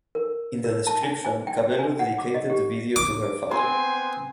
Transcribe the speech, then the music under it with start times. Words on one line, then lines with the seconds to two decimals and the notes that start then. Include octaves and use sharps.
In the description Cabello dedicated the video to her father.
0.15 A#4
0.64 A#4
0.87 A5
1.03 G#5
1.25 G#5
1.47 G5
1.79 G#5
1.99 F#5
2.18 D6
2.34 D#5
2.50 G4
2.96 D6
3.51 B3 C4 G#5 C6